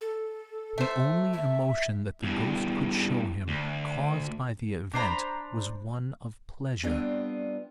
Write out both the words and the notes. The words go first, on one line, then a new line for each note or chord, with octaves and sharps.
The only emotion that the Ghost could show him, caused by the event, was one of pleasure.
A4
A3 C5
E5
E2 G2
D2
D4 C5 A#5 B5
G3 B3 C4 D4 F4